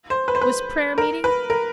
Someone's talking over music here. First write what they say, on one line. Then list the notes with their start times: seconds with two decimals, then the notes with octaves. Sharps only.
"Was prayer-meeting?"
0.10 C5
0.28 B4
0.35 C5
0.42 B4
0.98 A#4
1.24 B4
1.50 A#4